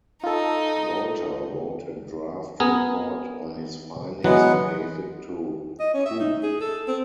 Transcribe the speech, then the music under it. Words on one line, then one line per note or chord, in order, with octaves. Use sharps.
Walter wrote a draft report on his findings and gave it to Koop.
D#4 F4 A4
B3 G#4 A#4
E3 F#3 G#3 B3 F#5
D#5
C#4
E5
D#4
G#4
A4
C4